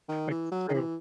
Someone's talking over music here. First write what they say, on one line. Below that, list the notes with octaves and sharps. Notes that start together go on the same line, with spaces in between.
Like, so
D#3
E3
F#3
D#3
E3